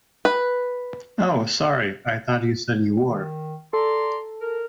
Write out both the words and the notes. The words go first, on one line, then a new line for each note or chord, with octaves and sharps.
Oh, sorry, I thought you said you were.
B4
D#3
A4 D5 A#5 C6
A#4